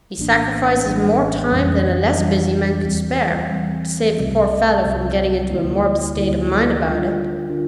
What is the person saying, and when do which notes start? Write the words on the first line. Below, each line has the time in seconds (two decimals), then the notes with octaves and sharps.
He sacrifices more time than a less busy man could spare, to save the poor fellow from getting into a morbid state of mind about it.
0.18 A#1 A2 E3 A#3 D4
0.85 A#1 A2 E3 A#3 D4
1.51 F2 E3 G3 D4
2.18 F2 E3 G3 D4
2.85 E2 E3 G3 C4
3.50 E2 E3 G3 C4
4.18 C2 C3 G3 C4
4.83 C2 C3 G3 C4
5.50 D2 D3 G3 A#3 E4
6.17 D2 D3 G3 A#3 E4
6.83 D3 G3 D4 F4 A#4
7.50 D3 G3 D4 F4 A#4